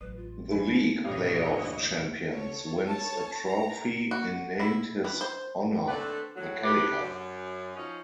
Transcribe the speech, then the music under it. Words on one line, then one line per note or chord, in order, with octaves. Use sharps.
The league playoff champions wins a trophy in named his honor, the Kelly Cup.
A1 F#3 B4
F4
F2 D#4 E4 G#5 B5
F3 B3 D4 A#4 B4
D2 G2 A#2 E3 G4 C#5 D#5 F5
A4 C#5
A4 C#5 A5
A#5
F#4
E4
E3
C5
D3 A3 C4 C#4 B4 D5
A2 F#3
D2 G4 B4
F#2
F3 C#4 D#4